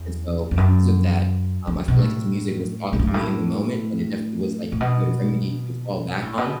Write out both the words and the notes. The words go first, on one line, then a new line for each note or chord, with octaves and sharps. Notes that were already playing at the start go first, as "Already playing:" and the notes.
and so because of that, um, I feel like his music was talking to me in the moment and it definitely was like a good remedy to fall back on,
Already playing: E2
E2
F#2
E2
B2
A2
B2
A2
G2
A2
A2
B2
A2
B2